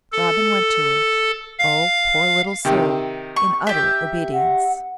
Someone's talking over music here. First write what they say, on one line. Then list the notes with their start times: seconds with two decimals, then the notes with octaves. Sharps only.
Robin went to her--oh, poor little soul!--in utter obedience.
0.12 A4
1.59 F5
2.65 C3 D#3
3.36 C#6
3.67 G4 E5
4.33 F#5